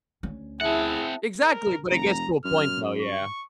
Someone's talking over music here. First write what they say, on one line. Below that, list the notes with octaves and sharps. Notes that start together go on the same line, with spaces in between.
Exactly, but it gets to a point though, yeah.
D2 C#4
C4 E4 G#4 E5 F#5 A5
A#4
F1 A#5
F#2 F6
C#6